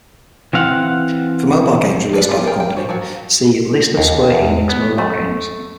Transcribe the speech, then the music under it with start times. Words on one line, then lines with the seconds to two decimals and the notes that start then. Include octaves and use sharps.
For mobile games released by the company, see List of Square Enix mobile games.
0.53 E3 C4 F5 F#5
2.13 F3 B4 D5
2.29 G3 F4
2.44 G#4 A#4 G5
2.60 G5
2.77 F#4 C5
2.89 F3 F#3 F#4
3.97 D#2
4.32 E2
4.69 B3
4.98 A3